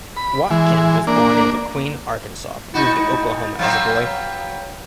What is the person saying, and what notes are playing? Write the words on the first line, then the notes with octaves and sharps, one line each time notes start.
Watkins was born in De Queen, Arkansas but moved to Oklahoma as a boy.
B5
E3 G#3
A#3 D4
G#2 D#4 E4 F#4
F#3 B3 C4 F5